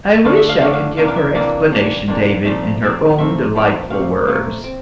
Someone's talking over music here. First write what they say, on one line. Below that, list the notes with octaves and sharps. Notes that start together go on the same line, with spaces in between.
I wish I could give her explanation, David, in her own delightful words.
D3 A3 D4 F5
E5
F5
D3 A3 D4 F5
F5
C3 E3 A#3 D4 F5
F5
E5
C3 E3 A#3 D4 D5
C3 E3 A#3 D4
C3 E3 A#3 D4
A#2 F3 A3 C4 D5
A#2 F3 A3 C4
A#2 F3 A3 C4 E5
A#2 F3 A3 C4
A#2 A3 C4 F5
A#2 A3 C4 F5
C4